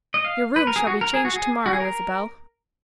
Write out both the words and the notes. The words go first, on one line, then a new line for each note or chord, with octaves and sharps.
"Your rooms shall be changed to-morrow, Isabel."
D#5
F5
B4
A#4
G#4
F#4
A#4
G#4
F#4
G#4
F#4
G#4
A#4